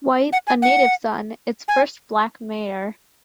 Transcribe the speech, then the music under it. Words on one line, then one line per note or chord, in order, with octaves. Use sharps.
White, a native son, its first black mayor.
F#5
G#5
F#5
G#5